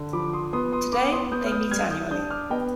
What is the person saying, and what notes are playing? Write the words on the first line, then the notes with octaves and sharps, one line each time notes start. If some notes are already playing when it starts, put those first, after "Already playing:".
Today, they meet annually.
Already playing: D3
F3 B5 D6
C6 D#6
B3 C6 D#6
C6 D#6
B3 B5 D6
C6 D#6
B3 D#6 G6
F6
D#6 G6
G3 F6 G#6
D#6 G6
D4 D#6 G6
D6 F6
B3 D#5 G5